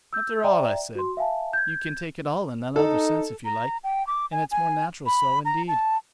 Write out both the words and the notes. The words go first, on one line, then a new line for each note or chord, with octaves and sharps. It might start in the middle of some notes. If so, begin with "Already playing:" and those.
After all, I said, you can take it all in another sense if you like, and it's more natural so, indeed.
E6 G6
D5 E5 G5 A#5
F#4 C6
E5 F5 G#5 A5
G6 G#6
D#4 A4
A#5
G5
D6
G#5
G#5
B5
A#5
A5